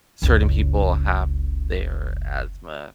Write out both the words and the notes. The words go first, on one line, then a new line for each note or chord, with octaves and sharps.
certain people have their asthma
F#1 C#2